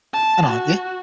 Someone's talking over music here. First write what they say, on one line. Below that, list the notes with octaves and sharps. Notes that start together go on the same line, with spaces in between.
And aren't you?
A5
F#4